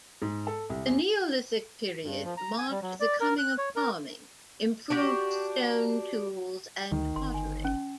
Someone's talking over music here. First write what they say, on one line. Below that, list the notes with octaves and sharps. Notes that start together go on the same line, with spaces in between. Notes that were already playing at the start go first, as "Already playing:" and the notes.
The Neolithic Period marked the coming of farming, improved stone tools and pottery.
G#2
A4
C2
E2
G2
F3
A#5
G#5
G3
F#3
D5
A#4
F#6
C#5
A#4
D4 F#4 G4
D2 D#3
G1 C6
G#5
C#4